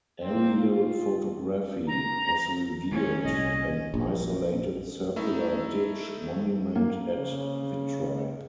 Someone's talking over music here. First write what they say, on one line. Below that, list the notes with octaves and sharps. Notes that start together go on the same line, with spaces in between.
Aerial photography has revealed an isolated circular ditch monument at Vitry.
A#3 C4
F4
A#5
D#3 C#4
C2 A#2 D#5
A#1
A3 D#4 E4 E5
A#3
C#3